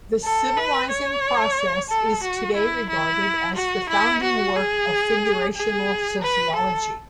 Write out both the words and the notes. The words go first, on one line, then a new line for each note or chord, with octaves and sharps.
"The Civilizing Process" is today regarded as the founding work of Figurational Sociology.
A4
B4
C#5
A4
F#4
E4
E4
F#4
E4
F#4
G#4
G#4
B4
A4